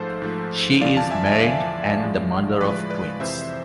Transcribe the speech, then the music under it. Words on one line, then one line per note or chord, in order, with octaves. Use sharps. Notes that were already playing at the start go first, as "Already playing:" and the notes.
She is married and the mother of twins.
Already playing: G#2 F3 A3 A4 C5
G#2 F3 A3
E2 D3 F3 D5 F5
F5 A5
E5 G#5
E5 G#5
E2 D3 F3 D5 F5
A2 F3 G#3
A2 F3 G#3 B4 D5
B4 D5
F2 C3 E3 C5 E5